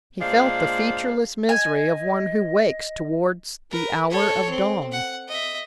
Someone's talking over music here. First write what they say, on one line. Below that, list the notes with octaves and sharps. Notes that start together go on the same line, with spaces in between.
He felt the featureless misery of one who wakes towards the hour of dawn.
A#2 G#3 D4 C5 F5
D#5 G#5
A#4 B4
A4 C#5
C4
F#5
D#5 E5